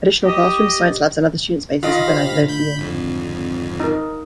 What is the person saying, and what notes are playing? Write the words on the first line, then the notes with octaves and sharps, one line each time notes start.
Additional classrooms, science labs, and other student spaces have been added over the years.
G4 D#5
D#3 F4 D#5 F5 B5 A#6
G4 C5
A2 D3
B5 G6 B6
G#1 F2
D#4 A#4